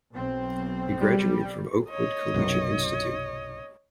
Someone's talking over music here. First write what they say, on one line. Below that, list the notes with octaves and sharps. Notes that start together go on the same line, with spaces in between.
He graduated from Oakwood Collegiate Institute.
B1 C4
G3
C#5 D#5
B1 F#2 C3